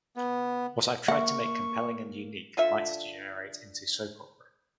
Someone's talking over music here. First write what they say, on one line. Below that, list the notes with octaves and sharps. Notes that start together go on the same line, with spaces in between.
What I’ve tried to make compelling and unique might degenerate into soap opera.
B3
A#3 E5 F#5 C#6
D3 F4 A4 E5